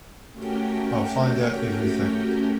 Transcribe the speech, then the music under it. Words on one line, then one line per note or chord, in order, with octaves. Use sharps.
I'll find out everything.
A3 C#4 F#4 G4 A#4 G5